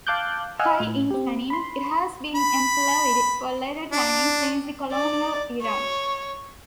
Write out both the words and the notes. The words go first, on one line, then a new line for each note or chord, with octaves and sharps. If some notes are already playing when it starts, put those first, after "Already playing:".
High in tannin, it has been employed for leather tanning since the colonial era.
F5 A5 D6 F#6 G6
D#5 F5 F#5 G#5 E6 F6
A2
C4 G4
B5 C6
B5
D4
D5
C#5